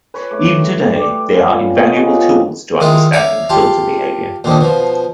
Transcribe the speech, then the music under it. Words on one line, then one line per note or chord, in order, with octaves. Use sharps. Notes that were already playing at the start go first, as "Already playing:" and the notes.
Even today, they are invaluable tools to understanding filter behavior.
B4 C#5
A3 D6
G4 D5
G3 C#4 F4
A4 C#5 D#5 G5
F3 B3 C#4
D#3 G#3 E4 F4
C#5 D5 E5 F5 A#5
F4 G4 A5
A#2 D3 D#3 F3
B2 F3